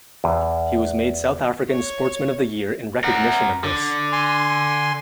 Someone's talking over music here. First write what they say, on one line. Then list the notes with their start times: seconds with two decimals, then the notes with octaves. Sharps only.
He was made South African Sportsman of the Year in recognition of this.
0.24 E2
1.70 C#5
3.04 A#4 F#5
3.64 D3
4.12 G#5 C6